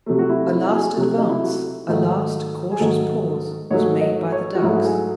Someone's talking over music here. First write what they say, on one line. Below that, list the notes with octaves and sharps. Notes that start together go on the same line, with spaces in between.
A last advance, a last cautious pause, was made by the ducks.
C3 F#3 A3
F#4
E4
E4
F#4
G#4
C3 F#3 A3 F#4
D#4
E4
F#4
G#2 D#3 F#3 A3
G#4
G#2 D#3 F#3 A3 A4
G#2 F#3 A3 C#5
D#5
C#5
F#4
G#2 F#3 A3 E4
G#4